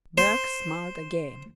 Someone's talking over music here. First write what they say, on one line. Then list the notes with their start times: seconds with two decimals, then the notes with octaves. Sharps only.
Berg smiled again.
0.18 C5